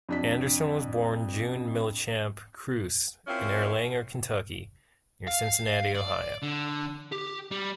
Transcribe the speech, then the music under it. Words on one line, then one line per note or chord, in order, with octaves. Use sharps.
Anderson was born June Millichamp Kruse in Erlanger, Kentucky, near Cincinnati, Ohio.
F2 D4 B6
C4 C#4 E4 F4 A#4
F5
D5
D3
G4
G3